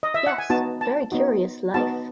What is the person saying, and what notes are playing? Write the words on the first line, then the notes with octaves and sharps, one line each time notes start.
Yes; very curious life.
D#5
E5
F#5
G#5
B3 D#4 F#4 A5
A5
B3 D#4 F#4
B3 D#4 F#4 A5